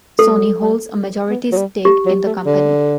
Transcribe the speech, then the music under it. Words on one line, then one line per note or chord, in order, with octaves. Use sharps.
Sony holds a majority stake in the company.
A3 A4
G3
F#3
G3
G3
G3
B3
F#3
G3
A3 G4
F#3
A3
D3